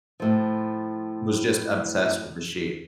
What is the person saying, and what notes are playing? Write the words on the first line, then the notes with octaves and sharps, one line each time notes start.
was just obsessed with the sheep.
A2 F3